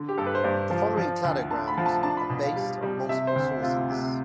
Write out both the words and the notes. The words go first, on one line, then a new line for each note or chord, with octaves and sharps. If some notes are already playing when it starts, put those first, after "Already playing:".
The following cladograms are based on multiple sources.
Already playing: D3
G4
G2 A4
B4
C5
G2 D5
F3
F3
D2
D3 A5
B5
F3
A5
D4 A5
B5
B2
F5
G3
G3
C3 E5
C5
D2
C3 F4
C3